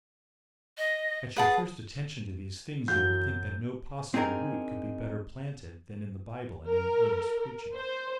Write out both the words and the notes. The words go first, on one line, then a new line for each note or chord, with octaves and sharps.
At your first attention to these things you would think that no possible root could be better planted than in the Bible and in earnest preaching.
D#5
G#4 B4 F#5 A5
F#2 E3 F#4 G6
C4 D4 D#4 G#4 A#4
A#4
C5